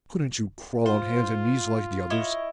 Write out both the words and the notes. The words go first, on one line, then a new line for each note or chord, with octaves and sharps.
Couldn't you crawl on hands and knees like the others?
F4 C5
E4 C#5 D#5